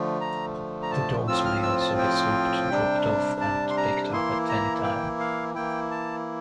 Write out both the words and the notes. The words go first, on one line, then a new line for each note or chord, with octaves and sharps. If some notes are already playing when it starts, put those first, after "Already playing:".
The dogs may also be swapped, dropped off, and picked up at any time.
Already playing: D3 F3 A3
A#5
A#5
A5
A2 F3 C4 F4 E6
F6
E6
A5
G5
C3 G3 D4
A5
C6
A#5
E3 A#3 E4 C6
A#5
G5
F5
E3 A#3 E4 G5
A5